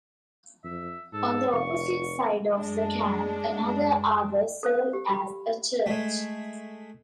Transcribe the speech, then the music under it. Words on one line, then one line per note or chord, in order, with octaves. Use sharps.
On the opposite side of the camp, another arbor served as a church.
F2 E5
G#2 A4
F1 C#6
F#2 G#3 D4
A4 C5 F5
G4
G4 B5
G#3 A3